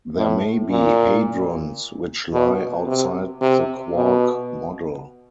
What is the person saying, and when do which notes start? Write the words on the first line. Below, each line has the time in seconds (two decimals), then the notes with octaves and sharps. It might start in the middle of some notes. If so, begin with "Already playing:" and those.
There may be hadrons which lie outside the quark model.
0.17 A2
0.71 A#2
2.33 B2
2.87 C3
3.41 C3
3.95 B2